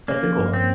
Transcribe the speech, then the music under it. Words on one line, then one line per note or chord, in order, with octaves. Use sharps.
That's a cool one.
A#3 C#4
F3
G2
A#3 C4